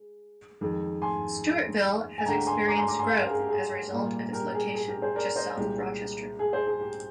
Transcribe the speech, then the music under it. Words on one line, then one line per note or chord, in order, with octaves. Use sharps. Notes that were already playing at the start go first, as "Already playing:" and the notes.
Stewartville has experienced growth as a result of its location just south of Rochester.
Already playing: G#3
F2 D#3 G#3
G#5 C6
G#5
D2 D3 G#3 G5 A#5
G#5 C6
A#5 D6
G#5 C6
A#5 D6
G#5 C6
F5 G#5
G4 A#4
G#4
G4
G#4
A#2 G3 A#3
G4 A#4
G#4
G#4
G4 A#4
G#4 C5
A#4 D5
C5 D#5
C2 A#2 G#3 G4
G#4
G#4 C5
G#4
G4